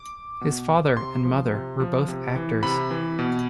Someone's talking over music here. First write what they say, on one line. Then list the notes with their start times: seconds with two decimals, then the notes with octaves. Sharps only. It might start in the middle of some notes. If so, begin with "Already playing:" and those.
His father and mother were both actors.
Already playing: D6
0.41 B2
0.97 C3 C6
1.25 F3
1.52 C3
1.80 F3
2.08 C3
2.36 E3
2.63 C3 B5
2.91 E3
3.19 B2